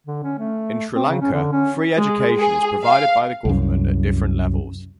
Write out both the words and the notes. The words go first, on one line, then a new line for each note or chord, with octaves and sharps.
In Sri Lanka, free education is provided by the government at different levels.
D3
C#4
A3
C4
C#3
C#4
D3
C#4
G#3
G#4
F5
C2 F#2